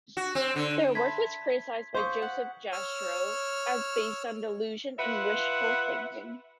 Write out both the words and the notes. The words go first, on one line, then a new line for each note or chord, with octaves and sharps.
Their work was criticized by Joseph Jastrow as based on delusion and wishful thinking.
F#4
C4
D3
E5 A5 B5 C6 G#6 B6
C5 F5 C#6 D#6
F#5
C#5 E6 F6
F4 B4 E5 F#5